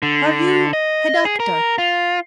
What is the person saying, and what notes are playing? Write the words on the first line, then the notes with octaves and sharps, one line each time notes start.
"Are you a doctor?"
D3
D#5
G#4
A#4
F4